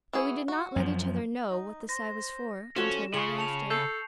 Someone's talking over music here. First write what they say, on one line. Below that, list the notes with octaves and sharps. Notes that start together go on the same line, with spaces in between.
But we did not let each other know what the sigh was for, until long after.
E3 F#4 G#4
F#4
F#2 F3
D#4
C5 A#6
F3 C#4 F4 F#4 A4 E7
C#3 F4 G#4 C6 C#6 C#7 F#7
A5 C#7 F7
A4 G6 C7